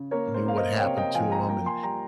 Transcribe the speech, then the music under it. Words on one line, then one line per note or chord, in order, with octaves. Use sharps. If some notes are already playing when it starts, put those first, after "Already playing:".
knew what happened to him, and,
Already playing: C#3
A#3 A#4 C#5
C5
A#3 F5
C5 D#5
G5
C3 C#5 F5
D#5 G5
F3 F5 G#5
G5 A#5
A#3 G5 A#5
G#5 C6
G3 G5 A#5